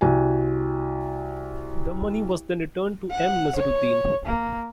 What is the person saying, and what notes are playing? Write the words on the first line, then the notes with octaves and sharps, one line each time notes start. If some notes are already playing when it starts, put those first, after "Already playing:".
The money was then returned to M. Nazaruddin.
C2 F#4 G#5
F#5
C#5
A#3